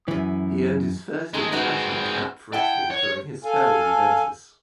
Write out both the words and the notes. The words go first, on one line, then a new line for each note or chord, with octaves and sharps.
He earned his first international cap for Italy during his spell with Juventus.
F#2 E3
D#3 G#3 D#4 G#4 A4
G#3 C4 D#4 F#4 B4
E4 F#5 G5 A5
C#5
A4 F5 G#5